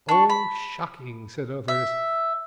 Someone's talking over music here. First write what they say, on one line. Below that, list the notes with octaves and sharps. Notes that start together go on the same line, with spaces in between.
"Oh, shocking!" said others.
D4 C#6
B5
E5